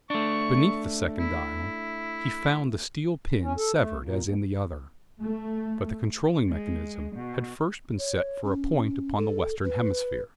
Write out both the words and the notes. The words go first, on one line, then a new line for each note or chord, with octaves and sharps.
Beneath the second dial he found the steel pin severed as in the other, but the controlling mechanism had first been set for a point upon the western hemisphere.
A3 D4 C#6
E4
C#4
A4
A3
A#2
D#2
A3
G#3
B2
C#5
C#4
A4
B4